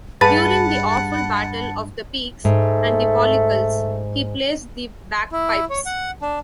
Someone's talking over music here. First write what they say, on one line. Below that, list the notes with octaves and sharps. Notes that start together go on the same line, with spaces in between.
During "The Awefull Battle of the Pekes and the Pollicles", he plays the bagpipes.
G2 G#4 B4 F#5 A5 B5 A6 D#7
G#2 A3
E4
C#5
F#5
D4